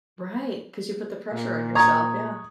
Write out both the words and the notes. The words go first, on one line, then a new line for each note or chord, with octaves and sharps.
Right, 'cause you put the pressure on yourself, yeah.
A#2
A#5 C#6 D#6 G#6